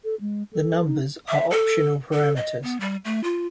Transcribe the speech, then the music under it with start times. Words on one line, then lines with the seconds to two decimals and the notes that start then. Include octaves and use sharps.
The numbers are optional parameters.
0.04 A4
0.21 G#3
0.53 A4
0.86 D#4
1.29 E5
1.51 A4
2.13 A4
2.36 D#5
2.63 B3
2.81 G3
3.05 A3
3.24 F4